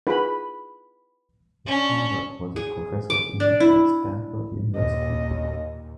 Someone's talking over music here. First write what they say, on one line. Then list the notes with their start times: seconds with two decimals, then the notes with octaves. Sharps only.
His father was a professor of English at Stanford University.
0.07 D#4 F4 G#4 B4 B5
1.67 C#4 D4
2.56 G#4
3.10 D6
3.40 D4
3.60 E4
4.75 D#2 A#2 D#5